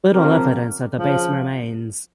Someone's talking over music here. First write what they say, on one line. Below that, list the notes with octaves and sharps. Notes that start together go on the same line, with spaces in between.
Little evidence of the base remains.
C#3 F3 C4 G4 A#4
C#3 F3